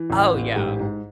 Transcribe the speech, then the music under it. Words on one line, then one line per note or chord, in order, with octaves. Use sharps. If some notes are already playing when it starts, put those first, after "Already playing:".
Oh yeah,
Already playing: E3
A1
A1
G#2 G4
G#2